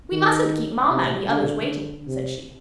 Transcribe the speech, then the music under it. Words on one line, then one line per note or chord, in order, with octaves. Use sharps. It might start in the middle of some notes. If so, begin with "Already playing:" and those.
"We mustn't keep mamma and the others waiting," said she.
D#3
C3
D3
D3
C3